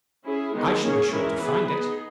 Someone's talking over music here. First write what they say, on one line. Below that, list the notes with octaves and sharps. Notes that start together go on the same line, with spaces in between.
I shall be sure to find it.'
C#4 E4 G#4
D#3 G#3 B3 D#4
A#3 C#4 G#4 C#5
E3 G#3 C#4 E4 A#4
B3 E4 G#4 B4
B3 D#4 G#4